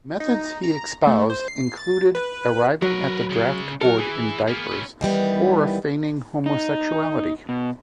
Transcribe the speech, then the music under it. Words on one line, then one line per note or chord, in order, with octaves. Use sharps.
Methods he espoused included arriving at the draft board in diapers or feigning homosexuality.
D#4
A#5
A3
C5
C7
A6
B4
F#3 A#4 B4
C#3 G#3
F#3 A4 A#4
E3 G#4
A#3 B3
C#4 B4
D#3 E3 G3 B3
D#4
B2